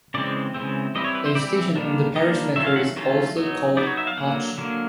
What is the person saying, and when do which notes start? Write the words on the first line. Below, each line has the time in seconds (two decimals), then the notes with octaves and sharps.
A station on the Paris Metro is also called 'Hoche.
0.14 C#3 E3 G#3 C4 D5
0.54 C#3 E3 G#3 C4
0.95 E3 G3 C4 E4 D#5
1.05 C#5
1.15 B4
1.25 C5
1.35 E3 G3 C4 E4 D5
1.76 D#3 G3 A#3 D4
2.15 D#3 G3 A#3 D4 D#5
2.56 D#3 F#3 A3 C#4 F4 E5
2.66 F5
2.76 F#5
2.96 D#3 F#3 A3 C#4 F4
3.37 F#3 B3 D#4
3.77 F#3 B3 D#4 D5
3.87 C#5
3.97 E5
4.07 F5
4.17 D3 F#3 A#3 F#5
4.58 D3 F#3 A#3